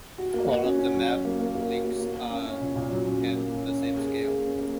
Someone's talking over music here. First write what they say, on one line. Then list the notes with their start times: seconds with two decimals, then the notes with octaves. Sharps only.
All of the map links are at the same scale.
0.18 F#4
0.34 A#3
0.48 F#4
0.64 C#4
0.79 C#4
0.94 F#3
1.09 F#3
1.25 A#3
1.39 A#3
1.55 A#3
1.69 F#4
1.85 A#3
2.00 A#3
2.15 A#3
2.30 C#4
2.46 C#4
2.61 A#2
2.76 A#2
2.91 F#3
3.06 C#4
3.21 A#3
3.36 A#3
3.51 C#4
3.67 C#4
3.82 A#3
3.97 G#4
4.13 G#4
4.28 A#3
4.43 C#4
4.58 A#3